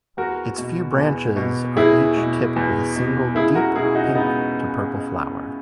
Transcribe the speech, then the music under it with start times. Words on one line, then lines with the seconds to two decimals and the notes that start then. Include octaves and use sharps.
Its few branches are each tipped with a single deep pink to purple flower.
0.17 E2 F#4 A#4
0.58 B2
0.98 E2
1.36 B2
1.77 E2 E4 G#4
2.17 B2
2.56 E2
2.96 B2
3.35 C#2 E4 G#4
3.55 F#4 A#4
3.75 B2 E4 G#4
3.95 D#4 F#4
4.15 C#2 B3 D#4